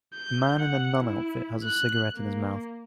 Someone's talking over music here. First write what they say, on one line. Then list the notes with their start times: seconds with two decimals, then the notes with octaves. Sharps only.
A man in a nun outfit has a cigarette in his mouth.
0.14 G6
0.60 F#5
1.03 E4
1.64 F#6
2.16 A#3